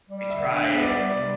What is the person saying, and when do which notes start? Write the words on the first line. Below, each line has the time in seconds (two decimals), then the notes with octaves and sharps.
We try it.
0.10 G3
0.30 D3 E5
0.50 D4
0.56 E5
0.70 B3
0.76 E5
0.83 D5
0.90 G3
1.09 C3 D5